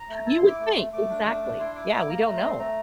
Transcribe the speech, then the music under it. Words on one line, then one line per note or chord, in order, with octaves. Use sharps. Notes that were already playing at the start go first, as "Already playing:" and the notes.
You would think. Exactly. Yeah. We don't know.
Already playing: A#5
A3
E4 A5
C6
E4 D6
A3 D6
C6
A3
A3 D6
D4
A3
D4
E4 C6
E4 D6
E4 D6
A#3 A#5
A3 A#5
C6
C4 A#5
C6
A3 A#5